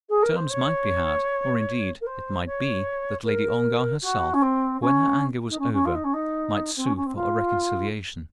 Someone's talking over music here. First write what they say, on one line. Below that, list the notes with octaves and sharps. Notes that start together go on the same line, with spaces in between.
Terms might be had; or, indeed, it might be that Lady Ongar herself, when her anger was over, might sue for a reconciliation.
G#4
A#4
C5
C#5
A#4
C5
C#5
A#4
F#4
C#4
C4
C#4
D#4
C#4
C#4
F4
D#4
C#4
D#4
C4
C#4
C#4
C4
F4